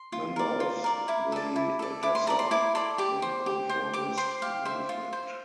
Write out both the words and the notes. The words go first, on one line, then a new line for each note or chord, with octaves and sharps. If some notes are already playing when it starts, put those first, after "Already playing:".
Member of the Odessa nonconformist movement.
Already playing: C6
F4
A#4 D5
F4
A#4 D5
E4 D6
A4 D5
E4
A4 D5
E4 D6
C6
A4 D5 A#5
C6
E4 D6
A4 D5 C6
G4 D6
C5
G4
C5
G4 D6
C5 C6
G4 F5
C5 E5
F4
C5